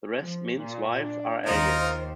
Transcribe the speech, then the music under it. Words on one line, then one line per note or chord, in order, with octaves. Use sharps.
The rest men's wives are aliens.
F3
A#2
D4
D#2 D#4 F4 A#4 C5